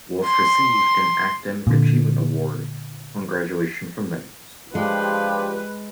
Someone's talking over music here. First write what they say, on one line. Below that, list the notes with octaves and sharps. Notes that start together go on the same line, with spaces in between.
Wolf received an Academic Achievement Award upon graduation from medical school.
C6
A#2 D3
F3 G#3 D4 F4 G4 B4